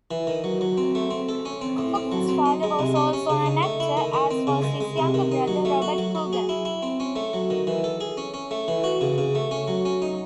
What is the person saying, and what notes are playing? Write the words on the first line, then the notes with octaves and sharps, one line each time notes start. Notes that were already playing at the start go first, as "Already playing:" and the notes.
Coogan's father was also an actor, as was his younger brother, Robert Coogan.
E3
D#3
F#3
F#3
C4
A3
C4
A4
C#4
C4
A2
C4
F#3
C4
D#4
G#3
C3
C#4
C#4
C#3
D#4
A3
E4
D#3
D#3
C4
C#3
G#3
G#3
C3
D#3
D#4
F#3
A3
F#4
F#3
F#3
G#4
E4
E4
C4
C#4
A3
F#3
D#3
E3
A4
G#4
C#4
C#4
A3
E3
F#4
C#3
C#3
A3
C#4
F#3
C#4
D#4